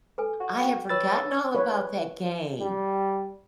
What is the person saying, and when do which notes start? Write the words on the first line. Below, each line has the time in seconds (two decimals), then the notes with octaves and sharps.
I have forgotten all about that game.
0.18 A4 B4 G#5
0.40 F#4
0.59 F5 G5
0.89 B4 C#5 E6 A6
1.55 B4 C#5
2.58 G3